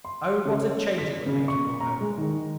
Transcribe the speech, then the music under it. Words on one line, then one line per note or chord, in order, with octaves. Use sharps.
O what a change it would make in your home!
C6
C#3
C#5
B6
C#3
C#6
A#5
G#3
D#3